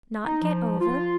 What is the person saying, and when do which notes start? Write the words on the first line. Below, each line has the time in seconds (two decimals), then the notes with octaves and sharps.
Not get over?
0.25 D#4
0.42 F3
0.81 F4